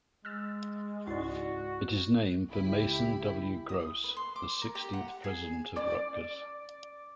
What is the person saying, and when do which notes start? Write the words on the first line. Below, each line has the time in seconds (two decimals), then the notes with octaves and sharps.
It is named for Mason W. Gross, the sixteenth president of Rutgers.
0.25 G#3 E6 F6 A6
1.07 C#2 G#2 E4 F#4 D5
2.49 C#2 E4 G4 B5
3.69 D#6
4.04 B4
4.17 C6
4.36 D6
4.62 A#4
4.75 G4
4.93 F#5
5.24 G#4
5.76 D5